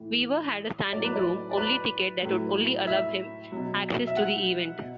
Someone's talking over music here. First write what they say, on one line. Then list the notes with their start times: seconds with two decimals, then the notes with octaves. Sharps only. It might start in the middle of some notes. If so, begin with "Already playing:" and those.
Weaver had a standing-room-only ticket that would only allow him access to the event.
Already playing: A2 E3
0.93 A2 F#3 D5
1.04 B4
1.16 D5
1.51 D5
1.58 B4
2.22 A2 F#3
2.87 E5
3.52 B2 F#3
4.07 E5
4.17 F#5
4.81 B2